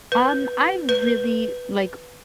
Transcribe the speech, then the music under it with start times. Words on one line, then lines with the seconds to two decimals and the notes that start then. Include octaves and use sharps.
Um, I really, like
0.12 B4
0.89 B4